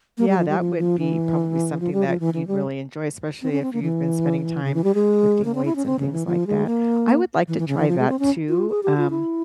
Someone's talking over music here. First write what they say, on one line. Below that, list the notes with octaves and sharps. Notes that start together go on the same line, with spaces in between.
Yeah, that would be probably something that you'd really enjoy, especially if you've been spending time lifting weights and things like that. I would like to try that too, um,
A#3
G3
F3
G3
F3
F3
E3
F3
G3
F3
E3
E3
G3
C4
C#4
C4
A#3
E3
C#3
E3
G3
G#3
A#3
C4
E4
C#4
C4
C#3
E3
F3
G#3
A#3
E3
E3
C#3
E3
F3
G#3
C4
C#4
F4
G#4
G4
F4
E4